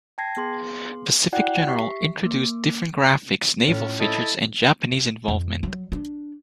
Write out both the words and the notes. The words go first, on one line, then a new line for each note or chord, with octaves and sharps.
"Pacific General" introduced different graphics, naval features, and Japanese involvement.
G5 A5 G#6 A#6 C7
B3 G#4 C6
E4 F#4 D5 F#5 G5 F#6
G4 E5 C#6 B6 C7
A#3 D6
A2 C#4 F4
E4 A4 D#5
F2
F#3
D4